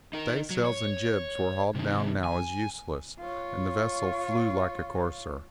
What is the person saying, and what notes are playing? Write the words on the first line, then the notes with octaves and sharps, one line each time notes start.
The staysails and jibs were hauled down now as useless, and the vessel flew like a courser.
D#4 A#4
F#3
C#5
C3 D#3
G#5
F4 C#5